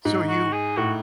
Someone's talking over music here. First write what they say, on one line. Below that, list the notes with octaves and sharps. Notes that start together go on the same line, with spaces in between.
So, you,
G#2
F#4
G#4
A2 F#4